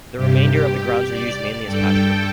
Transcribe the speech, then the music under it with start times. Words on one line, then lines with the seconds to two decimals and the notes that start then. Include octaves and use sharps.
The remainder of the grounds are used mainly as pasture.
0.16 G2 C3 G4
0.48 G4
1.07 D5
1.63 G2 A4 G5